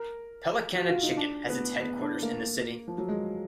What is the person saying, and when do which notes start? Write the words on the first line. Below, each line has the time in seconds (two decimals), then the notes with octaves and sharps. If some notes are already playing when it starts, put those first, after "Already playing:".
Pelicana Chicken has its headquarters in the city.
Already playing: A#4
0.75 F#4
0.89 F4
1.03 D#4
1.17 D4
1.49 B3
1.81 B3
2.02 D4
2.23 A#3
2.88 F3
2.98 F#3
3.08 G#3